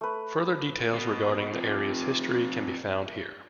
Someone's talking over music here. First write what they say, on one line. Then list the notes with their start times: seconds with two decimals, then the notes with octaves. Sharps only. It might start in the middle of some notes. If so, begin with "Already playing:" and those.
Further details regarding the area's history can be found here.
0.01 A3 B4
0.93 B2
1.51 C3 F3